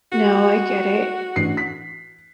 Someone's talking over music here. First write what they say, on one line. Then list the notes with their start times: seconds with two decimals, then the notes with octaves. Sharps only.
No, I get it.
0.12 F#4 G4
1.36 A1 D4 C7
1.57 B6